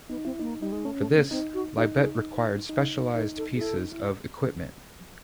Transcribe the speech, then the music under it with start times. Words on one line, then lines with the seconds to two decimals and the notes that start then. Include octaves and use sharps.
For this, Libet required specialized pieces of equipment.
0.09 B3 D#4
0.25 C4 E4
0.39 A#3 D#4
0.60 G3 D#4
0.72 G#3
0.85 A3 C#4
1.00 A3
1.17 A#3
1.31 C4 D#4
1.54 F#4
1.77 D#4 G4
2.00 G#4
2.69 D#4
3.15 D#4 A#4
3.38 A4
3.56 G#4
3.61 E4 A4
3.77 D#4
3.92 E4